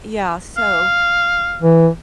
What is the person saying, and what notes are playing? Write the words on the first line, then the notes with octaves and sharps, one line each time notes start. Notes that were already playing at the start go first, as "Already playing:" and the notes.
Yeah, so
F5
E3